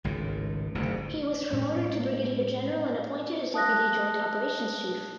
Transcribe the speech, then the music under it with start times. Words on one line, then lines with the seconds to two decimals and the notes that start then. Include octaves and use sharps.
He was Promoted to Brigadier General and appointed as Deputy Joint Operations Chief.
0.04 G#1 C#2 A2
0.75 F#1 D2 G#2 C3
1.52 A2 G#3 C#4
3.54 A5 D#6 F#6 A#6